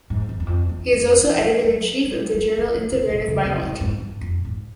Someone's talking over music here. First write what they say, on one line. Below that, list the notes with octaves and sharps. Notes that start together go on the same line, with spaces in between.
He is also editor in chief of the journal "Integrative Biology".
G#2
E2
E2
F2
E2
F2
E3
F3
G3
G#3
G3
G#3
A#3
G#3
A#2
C3
A#2
C#3
C3
G#2
G#2
G2
F2
G#2